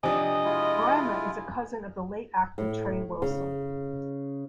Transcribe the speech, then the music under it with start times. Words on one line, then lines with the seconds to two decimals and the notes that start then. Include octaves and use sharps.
Brimer is a cousin of the late actor Trey Wilson.
0.03 C3 F3 D4 D#5 G#5 D#6
0.44 G#3 E4 F4
2.58 A2
3.22 C#3